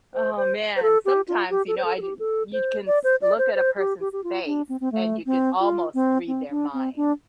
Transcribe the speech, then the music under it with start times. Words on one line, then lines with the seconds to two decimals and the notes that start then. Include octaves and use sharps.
Oh man, sometimes, you know, I j you can s look at a person's face and you can almost read their minds.
0.14 C5
0.37 C5
0.76 C5
0.82 A4
1.05 G4
1.28 F4
1.50 G4
1.68 A4
1.78 C5
1.85 A4
1.97 A4
2.02 G4
2.19 A4
2.53 C5
2.87 D5
3.04 C5
3.22 D5
3.38 C5
3.55 C5
3.78 G4
4.00 G4
4.13 G4
4.24 F4
4.46 D4
4.69 C4
4.81 C4
4.92 A3
5.26 C4
5.60 F4
5.94 C4
6.27 C4
6.51 D4
6.73 C4
6.96 D4